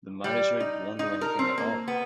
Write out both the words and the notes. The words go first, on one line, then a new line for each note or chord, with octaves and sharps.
The management won’t do anything at all.
G3
D#4
D#4
A#4
C4
A#3
B3